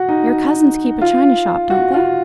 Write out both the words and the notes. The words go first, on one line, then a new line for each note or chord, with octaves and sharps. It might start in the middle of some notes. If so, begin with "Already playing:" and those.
Your cousins keep a china-shop, don't they?
Already playing: F#4
D#4
F4
F#4
F4